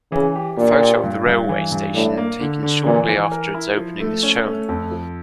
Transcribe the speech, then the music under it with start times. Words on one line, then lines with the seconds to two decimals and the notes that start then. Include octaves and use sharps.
A photo of the railway station taken shortly after its opening is shown.
0.12 C#3 E3
0.36 G4
0.58 A#2 D4
0.81 G4
1.03 G2
1.26 G2
1.49 E3
1.72 G2
1.94 A2 D4
2.18 A#3
2.40 D3
2.63 D3
2.85 A#2 E3
3.09 E3
3.32 A#4
3.54 E4
3.77 F3
4.00 A3
4.23 C#4
4.46 A3
4.69 F2
4.91 F3